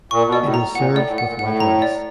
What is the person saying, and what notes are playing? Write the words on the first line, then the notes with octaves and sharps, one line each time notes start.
It is served with white rice.
A#2 C#6
B2
D5
A2
A#5
A#2 F#5
A2 D5
A2
F#5
A#2
A2 F#5
A#5
D5